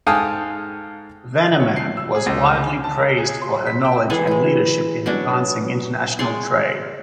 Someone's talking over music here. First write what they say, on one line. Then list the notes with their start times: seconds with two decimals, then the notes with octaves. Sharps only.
Veneman, was widely praised for her knowledge and leadership in advancing international trade.
0.06 G#2 A4 F5 G5 G#5 D#6
1.59 C#5
1.76 C7
1.97 E6
2.15 G#4
2.26 C#2
2.62 G#5
2.84 A5
2.99 A#4
3.18 G#4
3.42 C6
3.67 B6
3.85 G5
4.10 E3 G#3 G#4 A4
4.27 G#3 E4
5.06 F#3 B3 C#4 D4
6.19 G#3 C#5 D5 C6